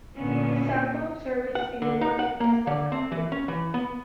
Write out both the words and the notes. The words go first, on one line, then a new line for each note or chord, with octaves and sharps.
The southbound service in the morning does not call here.
A#2 D3 B3 C#4
F#5
D3
D#4
F#5
A#3
D3
C4
E3
C#4
E3
B3